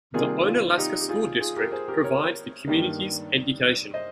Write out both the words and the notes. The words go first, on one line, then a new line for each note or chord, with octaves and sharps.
The Onalaska School District provides the community's education.
C3 D#3 G3 A#3 F4 G#4
F4
F4
D#4 G4
G4
F4 G#4
F4 G#4
G4 A#4
G#4 C5
G4 A#4
A#4 C#5
G2 D#3 G3 A#3
C5 D#5